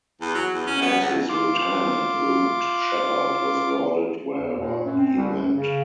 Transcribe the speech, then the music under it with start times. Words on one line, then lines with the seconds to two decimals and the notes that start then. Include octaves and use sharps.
As his retirement loomed, Shepherd was lauded wherever he went.
0.21 E2
0.35 F#3
0.54 E2
0.66 C#4
0.81 B3
1.00 C#2
1.29 F4 D6
4.38 E2
4.59 A#2
4.85 F#2
4.98 C4
5.16 C2
5.34 F#2
5.54 C#3